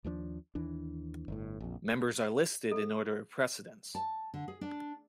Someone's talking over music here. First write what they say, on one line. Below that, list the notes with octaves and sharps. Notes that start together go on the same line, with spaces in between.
Members are listed in order of precedence.
D#2 F3 G#3 D4
D#2 E3 D4
G1 A2
A#1 F2
A4
A5
D3
G#4
D4